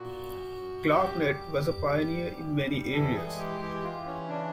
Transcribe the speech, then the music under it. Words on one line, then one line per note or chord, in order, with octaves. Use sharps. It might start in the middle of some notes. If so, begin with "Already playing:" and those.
ClarkNet was a pioneer in many areas.
Already playing: A#2 F#4
F#2
F#2
F#2 G4
G3
G3
G3
F#2
G3
E3 A4
G#4
G#3
G4
E3 G4
F4
E3
C#4
C#3 D4